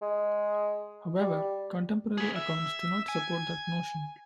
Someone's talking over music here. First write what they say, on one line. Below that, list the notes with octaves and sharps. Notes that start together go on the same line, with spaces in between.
However, contemporary accounts do not support that notion.
G#3
G3
G#4 B4
E5
G#5